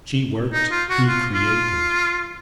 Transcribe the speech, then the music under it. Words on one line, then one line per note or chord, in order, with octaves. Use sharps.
She worked; he created.
D#4
F4
F#4
F4
F4